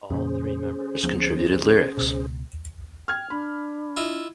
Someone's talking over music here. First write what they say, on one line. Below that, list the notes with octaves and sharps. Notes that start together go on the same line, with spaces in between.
All three members contributed lyrics.
F2 A#2 C#3 C#4 G#4 C5
D2 F3 B3
C#2 B2
G5 F6 G#6
D4 B5
E4 F4 D#5